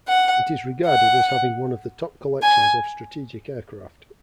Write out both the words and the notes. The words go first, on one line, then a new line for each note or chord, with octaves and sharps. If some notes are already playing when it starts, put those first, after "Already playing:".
It is regarded as having one of the top collections of strategic aircraft.
F#5
F#5
G#5